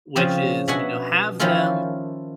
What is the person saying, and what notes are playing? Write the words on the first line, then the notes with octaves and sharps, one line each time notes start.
which is, you know, have them
C#3 F3 C4
B2 D4 F#4 E5 F#5 G#5
D#3 F3 C#4 E4 F4 A4